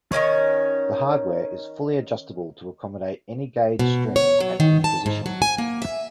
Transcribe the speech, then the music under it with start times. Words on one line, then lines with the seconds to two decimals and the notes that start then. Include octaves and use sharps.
The hardware is fully adjustable to accommodate any gauge string at any position.
0.12 D#3 G#3 C#4 C#5
3.79 B2
4.16 C#5
4.40 F#3
4.60 D#3
4.84 A5
5.06 G#2
5.26 F#3
5.42 G#5
5.58 A#3
5.82 E5